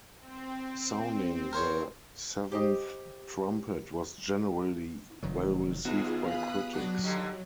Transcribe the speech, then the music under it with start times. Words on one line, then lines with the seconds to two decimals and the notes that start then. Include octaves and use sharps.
"Sounding the Seventh Trumpet" was generally well received by critics.
0.20 C4
1.53 A#4 C5 C#5
2.52 G4 C5 D#5
5.23 F1 D#3 F#3
5.85 D#2 B3 D#4 F4 F#4 G#4
6.25 G#4 F5 B5 D#6 F#6
6.73 F#3 D4 F#4
7.04 G2 D3 D#3 G4